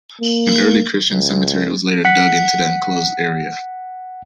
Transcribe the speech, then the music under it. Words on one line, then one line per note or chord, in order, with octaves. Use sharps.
An early Christian cemetery was later dug into the enclosed area.
A#3
C#2
F#5 B6